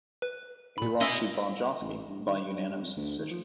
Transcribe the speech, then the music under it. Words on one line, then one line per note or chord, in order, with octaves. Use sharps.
He lost to Bonjasky by unanimous decision.
B4
A#2 B5
B2 C#4 D#5 E5 E6
A1
G2
D#3
G2
G2
F2
D2
D#3
F3